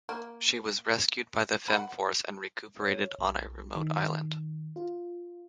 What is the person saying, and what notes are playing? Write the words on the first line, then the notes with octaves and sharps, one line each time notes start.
She was rescued by the Femforce and recuperated on a remote island.
A#3
F#5 B5
C#5
B1
D#3
F4